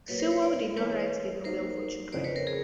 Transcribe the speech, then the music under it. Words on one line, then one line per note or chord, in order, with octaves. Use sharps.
Sewell did not write the novel for children.
A#2 F#3 A#3 B4 C#5
A#4 C5
B4 C#5
C5 D5
E3 G#3 B3 B4 C#5
F#3 A#3 D#4 A#4 C5
F2 C#3 F3 C5 D5
B4 C#5
A#4 C5
G#4 A#4